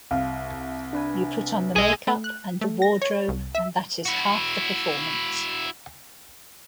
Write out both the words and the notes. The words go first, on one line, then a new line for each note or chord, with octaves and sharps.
You put on the makeup and the wardrobe, and that is half the performance.
C2 F5
D4 B4 G#5
B1 G#4 D#5 E6
A3
F#6
A3
A#6
C#5
C2
E5
E4 F#4